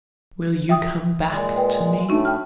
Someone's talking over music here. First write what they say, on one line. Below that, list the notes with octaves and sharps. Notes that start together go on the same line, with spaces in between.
"Will you come back to me?"
E5 G5 D#6
A#2 G#3
B4 G5
A2 A3 D4 D#4 F#4
G5 F6